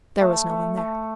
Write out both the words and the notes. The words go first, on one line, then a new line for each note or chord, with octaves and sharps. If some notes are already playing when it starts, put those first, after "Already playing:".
There was no one there.
A3
A3
A3